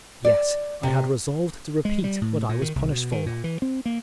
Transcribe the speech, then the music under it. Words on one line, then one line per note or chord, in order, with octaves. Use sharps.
Yes, I had resolved to repeat what I was punished for.
D5
C3
G#3
G3
A2
A#2
D#3
C2
B2
D#3
A#2
E3
C4
A#3